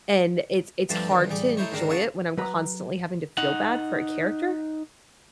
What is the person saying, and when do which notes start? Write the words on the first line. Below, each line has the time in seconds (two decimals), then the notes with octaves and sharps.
And it's it's hard to enjoy it when I'm constantly having to feel bad for a character.
0.89 G2 F3 A3 C4 A5 D6
1.09 D#2 D3 E3
1.30 A1 G3 G#4 D6
1.57 A3 D#4 E4 C5 C#5
1.72 D#2 G#2 D3 C4 D4 A#4
1.90 A#3 C#4 G#4 F#5 A5 C#6
2.38 F#3 B4 A#5
3.37 D#4 F#5